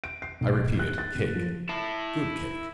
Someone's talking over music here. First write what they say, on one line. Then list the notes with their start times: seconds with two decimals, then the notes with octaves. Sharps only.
I repeat it, cake--good cake.
0.04 D7
0.22 C7
0.41 B1
0.79 F#6
0.98 A6
1.15 F#1
1.36 F3
1.69 E4 A5